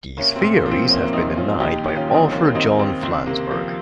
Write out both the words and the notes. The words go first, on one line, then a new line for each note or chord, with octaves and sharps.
These theories have been denied by author John Flansburgh.
C2 A#3 C#4
C4
A#2
A#3
F3
C4
C2 A#3 C#4
C2 C4 D#4
A#2 C#4 F4
D#2 D#4 G4
D#3 G4
C#4 F4
G3
C4 D#4
D#2 A#3 C#4
D#2 C4 D#4
D#3 C4
C#2 C4
C3 A#3
F3